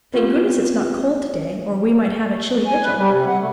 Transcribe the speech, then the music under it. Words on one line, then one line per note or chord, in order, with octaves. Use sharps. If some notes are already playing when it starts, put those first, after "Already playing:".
Thank goodness, it's not cold to-day or we might have a chilly vigil.
B3 C4 F4 G4 B4
G#5
B4
G3
C3
F#5
A3